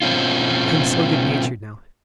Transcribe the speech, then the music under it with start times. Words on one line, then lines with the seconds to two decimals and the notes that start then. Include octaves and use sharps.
I am so good-natured now.
0.02 B2 C4 C#4 F4